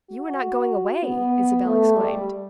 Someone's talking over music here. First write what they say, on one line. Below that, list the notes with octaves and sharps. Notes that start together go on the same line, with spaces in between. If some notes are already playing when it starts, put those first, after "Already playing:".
"You're not going away!" Isabel exclaimed.
F#4
B3
A3
G3